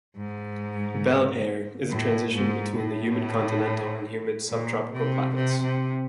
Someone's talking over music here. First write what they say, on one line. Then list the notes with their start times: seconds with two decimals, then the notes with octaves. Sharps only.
Bel Air is a transition between the humid continental and humid subtropical climates.
0.17 G#2
1.90 A2
2.34 G#2
2.77 A2
4.49 A#2
4.92 C3
5.35 C3
5.63 C3